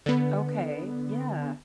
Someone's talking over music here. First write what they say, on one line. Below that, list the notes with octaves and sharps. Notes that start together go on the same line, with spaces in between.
Okay, yeah.
D3 B3